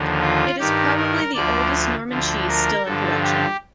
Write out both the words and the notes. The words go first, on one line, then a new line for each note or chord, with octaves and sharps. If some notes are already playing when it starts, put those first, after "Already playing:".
It is probably the oldest Norman cheese still in production.
Already playing: D#2 D3 F3
F4
G2 D#3 G4
A#4
D2 D3 F3 D5
D2 D3 F3
A#4
G2 D3 F3 A4
G4